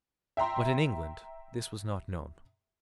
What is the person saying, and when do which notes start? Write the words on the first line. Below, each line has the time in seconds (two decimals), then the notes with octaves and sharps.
But in England this was not known.
0.37 E5 G5 A#5 C6